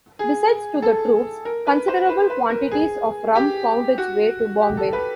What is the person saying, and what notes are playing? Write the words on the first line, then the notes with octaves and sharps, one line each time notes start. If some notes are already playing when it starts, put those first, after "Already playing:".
Besides to the troops, considerable quantities of rum found its way to Bombay.
G#4
A4
A#4
B4
C5
B4
B4
A#4
G#4
G4
F#4
G4
A4
B4